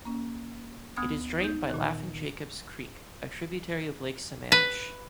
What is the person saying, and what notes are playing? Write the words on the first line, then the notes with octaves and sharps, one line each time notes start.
It is drained by Laughing Jacobs Creek, a tributary of Lake Sammamish.
A#3 C#4
D2 B3 D#6 G#6
D#4 G6
A#2 D#3
B4